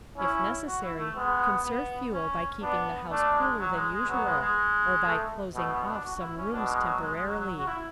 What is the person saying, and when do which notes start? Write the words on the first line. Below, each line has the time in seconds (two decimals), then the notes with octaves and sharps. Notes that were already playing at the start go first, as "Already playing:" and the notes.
If necessary, conserve fuel by keeping the house cooler than usual, or by "closing off" some rooms temporarily.
0.17 C#4 E4
0.67 F#4
0.82 E4
0.99 A3
1.16 G#3 B3
1.64 B3
2.13 C#4
2.62 B3 D4
3.11 A3 D4
3.35 G#3
3.60 F#3
3.76 G#3
3.93 G#3
4.09 F#3 B3
4.25 G#3
4.41 G#3
5.07 A3
5.55 B2 A3
5.73 B3
5.88 D4
6.04 F#4
6.15 F#4
6.21 E4
6.37 C#4
6.53 B2 D4
6.70 G#3
6.86 F#3
7.02 G#3
7.15 G#3
7.27 F#3
7.39 F#3
7.58 F#4
7.68 E4